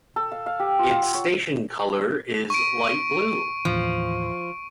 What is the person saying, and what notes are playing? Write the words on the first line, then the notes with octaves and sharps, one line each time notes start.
Its station colour is light blue.
A4
F5
F5
G4
F4
F5
F#5
C#5
C#6 D7
D#2 A2 E3 F3